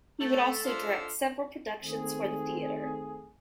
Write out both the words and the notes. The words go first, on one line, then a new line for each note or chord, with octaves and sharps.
He would also direct several productions for the theatre.
A3
F3 D4 A4 C5 E5 F5
D#3 A3 C4 G#4